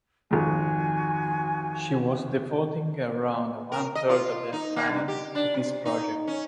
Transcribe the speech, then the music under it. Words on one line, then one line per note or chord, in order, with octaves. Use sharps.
She was devoting around one third of her time to this project.
G#1 F2 F#4 G#5
A#4
D#5
F4
D#4
A#3
G2
G4
D4
C3
D#4
C#4